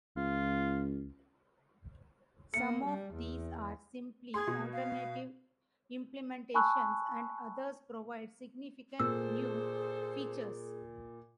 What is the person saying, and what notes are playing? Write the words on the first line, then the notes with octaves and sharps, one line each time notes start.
Some of these are simply alternative implementations, and others provide significant new features.
C#2 F4
A#3 C#7
G3
E2
G#4 C6 G#6
B2
F5
G#5 A5 B5 C#6 E6 F#6
A#2 G#4 A4 C5 E6